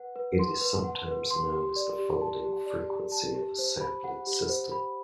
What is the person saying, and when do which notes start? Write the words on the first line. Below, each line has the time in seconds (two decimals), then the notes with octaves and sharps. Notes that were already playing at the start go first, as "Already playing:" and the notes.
It is sometimes known as the folding frequency of a sampling system.
Already playing: B4 F#5
0.16 B4
0.39 C6
0.61 B4
0.84 F#5
1.08 B4
1.30 C6
1.52 G4
1.76 D5
1.99 G4
2.21 A5
2.44 G4
2.66 D5
2.89 G4
3.12 A5
3.35 G4
3.59 C5
3.81 B5
4.04 F#5
4.27 G4
4.49 C5
4.72 B5